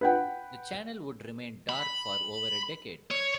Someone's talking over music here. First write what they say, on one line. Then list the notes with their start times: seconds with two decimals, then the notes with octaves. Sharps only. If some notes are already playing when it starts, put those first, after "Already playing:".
The channel would remain dark for over a decade.
0.01 B4 F#5 G5
1.69 B5
3.11 C#5